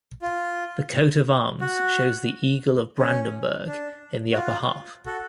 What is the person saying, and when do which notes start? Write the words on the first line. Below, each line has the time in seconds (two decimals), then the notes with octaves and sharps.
The coat of arms shows the eagle of Brandenburg in the upper half.
0.22 F4
1.61 F#4
2.99 C#4
3.67 D4
4.32 F#4
4.36 F4
5.06 F#4 A4